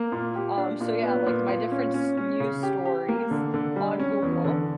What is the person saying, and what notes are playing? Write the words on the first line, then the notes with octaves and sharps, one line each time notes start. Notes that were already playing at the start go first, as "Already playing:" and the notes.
Um, so, yeah, like, my different s news stories on Google,
Already playing: A#3
A#2
G4
D4
A#2
B3
A#2
A#2
C#4
C#4
C#4
C#3
G4
G4
A#3
D3
D3
G3
C#4
E2
D3